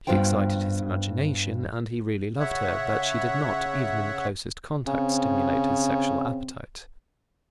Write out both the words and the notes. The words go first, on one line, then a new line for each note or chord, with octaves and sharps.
She excited his imagination, and he really loved her; but she did not, even in the closest contact, stimulate his sexual appetite.
G2 B3 F4 C5 G5
C#3 C#5 E5 F#5
C#3 C4